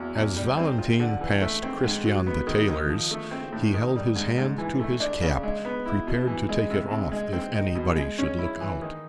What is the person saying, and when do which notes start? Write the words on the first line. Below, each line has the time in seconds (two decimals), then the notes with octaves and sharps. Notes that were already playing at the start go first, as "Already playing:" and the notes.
As Valentine passed Christian the tailor's, he held his hand to his cap, prepared to take it off if anybody should look out.
Already playing: E2 F#3
0.15 E2
0.36 G3
0.57 C4
0.78 F4
1.00 D3
1.21 E3
1.42 A3
1.63 C4
1.84 G#2
2.05 F#3
2.27 B3
2.47 D#3
2.68 D#3
2.90 F3
3.11 A3
3.31 C4
3.52 A2
3.74 D#3
3.96 G3
4.16 G#2
4.38 G#2
4.58 E3
4.79 A3
5.00 D4
5.21 C#3
5.43 G#3
5.65 B3
5.86 E4
6.07 B2
6.27 E3
6.49 G#3
6.70 C3
6.91 C3
7.12 G#3
7.33 C4
7.54 D#4
7.75 B2
7.96 G#3
8.18 C#4
8.38 E4
8.61 E3
8.82 D#3